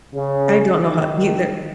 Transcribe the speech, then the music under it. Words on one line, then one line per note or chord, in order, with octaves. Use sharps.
I don't know how either.
C#3
D#3